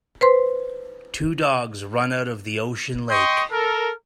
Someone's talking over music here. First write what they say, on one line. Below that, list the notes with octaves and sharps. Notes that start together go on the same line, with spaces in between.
Two dogs run out of the ocean lake.
B4 C5 C6
D#5 G5 C6 C#6 D#6
A4 A#4